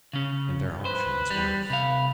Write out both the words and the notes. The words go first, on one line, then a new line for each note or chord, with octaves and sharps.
And their auction is worse.
C#3 C#4
B4 C5
G3
C3 F5 B5